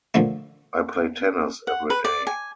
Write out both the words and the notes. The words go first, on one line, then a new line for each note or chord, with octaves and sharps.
I play tennis everyday.
A#2 D3 F3 A3
F#5
B4
D5
G#5